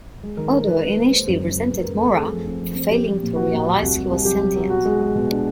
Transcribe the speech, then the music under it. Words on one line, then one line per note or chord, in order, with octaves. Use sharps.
Odo initially resented Mora for failing to realize he was sentient.
G#3
D#3 A#4
D#3 A#4
D#3 B4
G#3
G#3
A#3 C5
F#2
C#3
A#3 B4
F#2
A#4
F#2
A3 A4
C4 G#4
A4
F3
C4
F3
C4
F3 G4
F3
A#2
F3 F#4
A#2
A#2
C2 F#4
C2
C2
F#3 G4
F#3
F#3
B2 F#4
G#3
G#3
B2
D4